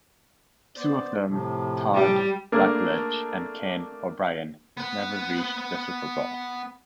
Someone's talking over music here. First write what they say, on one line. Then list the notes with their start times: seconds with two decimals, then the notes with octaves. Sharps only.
Two of them, Todd Blackledge and Ken O'Brien, never reached the Super Bowl.
0.77 B3 C5 D5
1.28 A2 C3 F3
1.94 G3
2.52 A3 A#3 D4 G#4 A#4
4.77 B3 B4